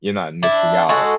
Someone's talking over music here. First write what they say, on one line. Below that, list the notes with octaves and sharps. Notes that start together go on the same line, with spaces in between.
you're not missing out.
D4 E4
G#3 F#4 A4